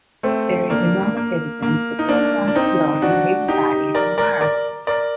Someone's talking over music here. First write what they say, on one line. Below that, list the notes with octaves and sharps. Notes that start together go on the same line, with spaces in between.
There is enormous evidence that water once flowed in river valleys on Mars.
A3 C4
A#3 D4
A#3
A#3
D#4
A#3 D4
D4
C4 D#4
D4 F#4
D#4 G4
A#4 D5
A#4 D5
A#4 D5
A#4 D5